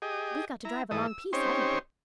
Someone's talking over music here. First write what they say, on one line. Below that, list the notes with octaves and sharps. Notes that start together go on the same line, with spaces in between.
We've got to drive a long piece, haven't we?
G4 G#4 D#5
E4 A#5
G#2 E3 A4 D#5
E6
C4 C#4 D#4 G4 C5 C#5